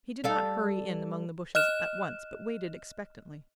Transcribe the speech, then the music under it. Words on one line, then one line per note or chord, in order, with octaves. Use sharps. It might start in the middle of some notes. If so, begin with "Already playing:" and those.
He did not hurry in among the bushes at once but waited expectantly.
G3 A4 F5
D#5 F6 F#6 E7